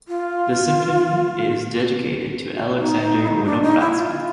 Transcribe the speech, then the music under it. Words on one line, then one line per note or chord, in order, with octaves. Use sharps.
The symphony is dedicated to Alexander Winogradsky.
F4
D#4
D#4
E4
D#4
D4
D#4
E4
F4